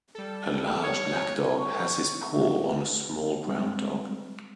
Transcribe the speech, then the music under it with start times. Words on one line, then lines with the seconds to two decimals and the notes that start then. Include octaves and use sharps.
A large black dog has his paw on a small brown dog.
0.15 G3 A4
0.83 C#5
1.59 C#5
3.47 G3 G#3 C4